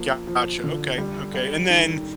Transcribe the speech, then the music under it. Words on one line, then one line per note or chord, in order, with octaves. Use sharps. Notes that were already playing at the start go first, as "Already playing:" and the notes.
Gotcha, okay, okay, and then
Already playing: F3 A#3
F3
D3
G3
G3
D#3